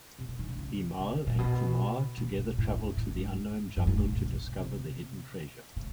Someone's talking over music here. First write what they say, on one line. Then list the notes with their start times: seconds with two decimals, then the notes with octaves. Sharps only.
Bimal and Kumar together travel to the unknown jungle to discover the hidden treasure.
0.19 C3
0.29 C#3
0.39 D#3
0.48 D3
0.58 C#3
0.98 C3
1.27 A#2
1.39 B2
2.17 B2
2.38 A2
2.58 A2
2.97 A2
3.18 G#2
3.77 G2
3.87 G#2
3.98 A2
4.07 A#2
4.17 C3
4.57 C3
5.77 C#3